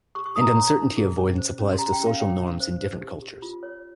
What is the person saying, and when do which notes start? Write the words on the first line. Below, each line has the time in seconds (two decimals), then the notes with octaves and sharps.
And uncertainty avoidance applies to social norms in different cultures.
0.15 G4 C#6
0.26 C#6
0.36 D#4 D#6
0.41 A#5
0.46 C6
0.56 C#5 A#5
0.76 D#4
0.97 G#4
1.18 C#4
1.38 C5
1.58 C#4
1.73 C6
1.79 G4 A#5
1.93 G5
1.99 C#4
2.06 F5
2.20 C#5 G5
2.40 C#4
2.60 C5
2.81 C5
3.01 G4
3.22 G4
3.42 F4
3.63 C#5